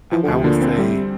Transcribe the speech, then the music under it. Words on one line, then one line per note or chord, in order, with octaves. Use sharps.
I I will say
E3 F3
D3
D2
C3
A#2 D3
C4
C3 G3